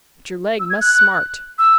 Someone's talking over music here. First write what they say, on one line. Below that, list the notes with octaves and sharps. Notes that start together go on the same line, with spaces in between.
"But your leg must smart."
E6
G#6
F#6
E6